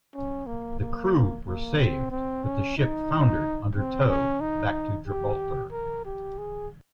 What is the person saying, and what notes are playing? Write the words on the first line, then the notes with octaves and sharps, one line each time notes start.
The crew were saved, but the ship foundered under tow back to Gibraltar.
C#4
A#3
A#3
A#3
C4
C4
C#4
D#4
C4
C#4
D#4
G4
A#4
G4
G#4